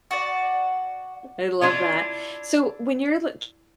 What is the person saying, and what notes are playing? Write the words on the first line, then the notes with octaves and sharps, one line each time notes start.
I love that. So when you're, like,
F#4 D5
D4 E4 F4 C#5